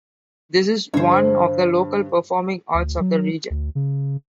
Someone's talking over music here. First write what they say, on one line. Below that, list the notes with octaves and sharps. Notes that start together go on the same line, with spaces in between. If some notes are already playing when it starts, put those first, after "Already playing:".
This is one of the local performing arts of the region.
G2 D3 C5 C#5
D2
F#3
D2
C#3